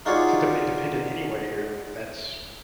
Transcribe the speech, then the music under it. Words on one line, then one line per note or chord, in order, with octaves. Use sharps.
since I'm independent anyway here, I mean that's
D#4 F4 F#4 G#4 C#5 D5